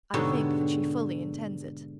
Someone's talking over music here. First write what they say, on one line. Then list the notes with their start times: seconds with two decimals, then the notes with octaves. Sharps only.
"I think that she fully intends it."
0.14 G#2 B2 D3 G4 C#5